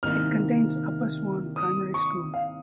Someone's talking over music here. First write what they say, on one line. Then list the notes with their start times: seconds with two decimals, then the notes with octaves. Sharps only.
It contains Upper Swan Primary School.
0.03 C2 C3 D#3 A#3 D#4 F6
1.56 D#6
1.94 C#6
2.34 F5